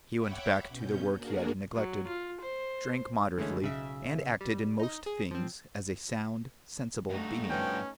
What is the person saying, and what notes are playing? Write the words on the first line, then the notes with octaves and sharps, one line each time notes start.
He went back to the work he had neglected, drank moderately, and acted in most things as a sound, sensible being.
C#5 E5 F#5 G5 B5 D6
B2 C#4 G6
A#3 D4 F#4 G#4 A#4
F#3
F4
C5
D3 E3 G#3 A3 C#4
B1 C#3 E5
G3
D#4 D#5
G#4
F3 C4
G2 A3 D#4 F#4
F3 B3 C#4 G5